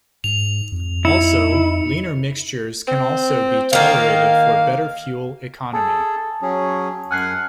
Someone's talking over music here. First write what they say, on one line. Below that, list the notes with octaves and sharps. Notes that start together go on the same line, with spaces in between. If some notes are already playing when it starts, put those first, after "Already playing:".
Also, leaner mixtures can also be tolerated for better fuel economy.
G#2 F7
F2
D#4 E4 C#7
C4
D#3 A#3 F5
G#4 A4 A5
F#3 C#4 G#4
F#2 F#5 G#5 F6 F#6 C7